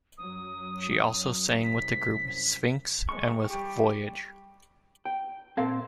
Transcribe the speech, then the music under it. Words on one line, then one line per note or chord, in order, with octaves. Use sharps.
She also sang with the group "Sphinx" and with "Voyage".
F#2 F#3 D#6
C2 F#2 C3 B6
G#3 C#6
G3 G4
G5
A#2 A#3 C4 A4 F5